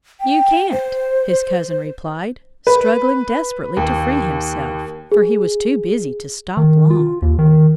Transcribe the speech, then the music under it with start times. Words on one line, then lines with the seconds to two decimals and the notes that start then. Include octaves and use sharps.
"You can't!" his cousin replied, struggling desperately to free himself, for he was too busy to stop long.
0.20 G5
0.72 C5
2.67 B4
3.77 D#2
5.12 G#4
6.57 D#3
6.90 F4
7.22 D#2
7.39 D#3